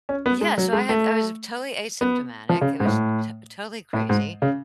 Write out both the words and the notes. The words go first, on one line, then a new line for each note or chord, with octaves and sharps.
Yeah. so I had I was totally asymptomatic, it was t totally crazy.
C#4
B3
G#3
F#3
G#3
A3
B3
F3
C#3
G#2
A2
A2
G#2
C#3